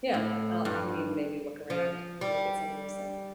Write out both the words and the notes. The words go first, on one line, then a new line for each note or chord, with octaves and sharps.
yeah, I I need to maybe look around, look at some of these things.
A2
G2
F3
G3